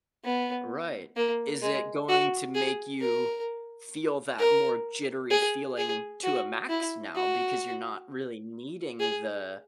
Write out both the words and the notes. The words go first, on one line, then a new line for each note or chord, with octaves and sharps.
Right. Is it going to make you feel that more jittery feeling to a max now, because you're not really needing the
B3
A#3
G#3
F#4
G#4
A#4
A#4
G#4
G#4
F#4
E4
F#4
G#4